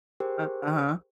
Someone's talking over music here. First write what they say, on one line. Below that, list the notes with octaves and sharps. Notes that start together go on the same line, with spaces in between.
Uh, uh-huh.
G4 G#4 A#4 C5 G5